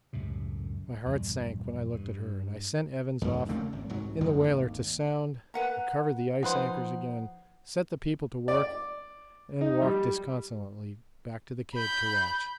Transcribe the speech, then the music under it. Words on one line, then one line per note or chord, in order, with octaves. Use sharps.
My heart sank when I looked at her and I sent Evans off in the whaler to sound, recovered the ice anchors again, set the people to work, and walked disconsolately back to the Cape to watch.
C#2 F#2 A2 C3
A#1 E2 G2 G3
G2
E2 G#2
C#3 A3 A#3 C4
G#1
C2 G#2 F#3
F#2 D3 F3 G#3
G#1 D#2
B4 F#5 A#5
F3 D#4 B4 C5 F#5
D5
D#4
G3
B5 G6